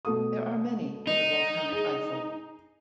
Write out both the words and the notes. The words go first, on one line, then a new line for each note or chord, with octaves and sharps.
There are many in the Volcanic Eifel.
B2 A3 D#6
D#4
G#4